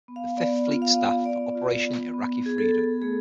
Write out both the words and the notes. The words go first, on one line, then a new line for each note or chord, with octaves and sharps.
Fifth Fleet staff for Operation Iraqi Freedom.
B3
F5
B3 D5
F4
F5
B3
B3 D5
F4
B3
B3
B3 G#4
A4
B3
A3 G#4